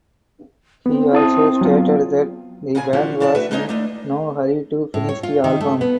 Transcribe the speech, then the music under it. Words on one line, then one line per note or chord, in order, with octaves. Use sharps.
He also stated that the band was in no hurry to finish the album.
B3 C4
E4 A5 D#6
F#3 B3 F4
A#2 C#3 F4 G#4 G#5
E3 F3 C#4 D4 F#4 A4
D3 F3 D5 E5 G5 A5
A3 D4 F#4 B4 E5
G#3 A#3 D4 D#4 C#5 D#5
D#2 A3 D4
A2
C#5
F4
D#3
A3
B3